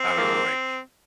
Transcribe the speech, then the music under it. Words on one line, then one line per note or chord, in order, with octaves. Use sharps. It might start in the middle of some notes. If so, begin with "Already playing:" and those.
I don't know, like,
Already playing: C4
G#2 F3 A#3